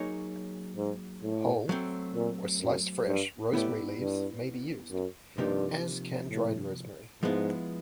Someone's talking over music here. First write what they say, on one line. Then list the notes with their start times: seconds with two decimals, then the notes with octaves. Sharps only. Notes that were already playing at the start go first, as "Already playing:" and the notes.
Whole or sliced fresh rosemary leaves may be used, as can dried rosemary.
Already playing: F#3 A#3 D#4 G#4 C#5
0.77 G#2
1.23 A2
1.69 F#3 A3 C4
2.15 A#2
2.61 F#2
3.07 G2
3.53 A2 B3 E4 G4 B4 D5
3.99 G2
4.92 F#2
5.38 G2 C3 F3 A#3 D#4 G4
6.30 A2
7.23 G#2 F3 G#3 B3 E4